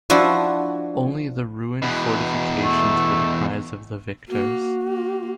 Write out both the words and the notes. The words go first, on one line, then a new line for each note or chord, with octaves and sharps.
Only the ruined fortifications were the prize of the victors.
F3 D4 E4 F#4
E2 B2
A3
A#3 F#4
A#3